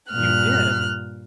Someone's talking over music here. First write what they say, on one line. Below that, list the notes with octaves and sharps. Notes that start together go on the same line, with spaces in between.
You did?
G2 A#2 F6 F#6